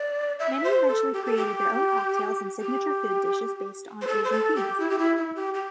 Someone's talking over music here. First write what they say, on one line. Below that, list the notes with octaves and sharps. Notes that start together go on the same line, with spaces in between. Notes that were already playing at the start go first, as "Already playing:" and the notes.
Many eventually created their own cocktails and signature food dishes based on Asian themes.
Already playing: D5
E5
C5
A4
G4
A4
G4
G4
C5
A4
C5
A4
G4
E4
G4
E4
E4
G4
G4